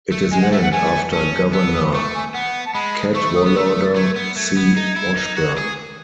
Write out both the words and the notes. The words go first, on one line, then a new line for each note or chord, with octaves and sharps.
It is named after Governor Cadwallader C. Washburn.
A3
G#3 G#5
F#5
A3 E5
F#5
A3 G#5
C#4 A5
B3 E6
D#6
B5
A3 C#6
G#5
B3 F#5
A5
G#3 B5
A3 C#6
D#6
B3
A3 E6
A6
A3 G#6
B3
A3 G#6
B3
D#4
E4
D#4
F#4
G#4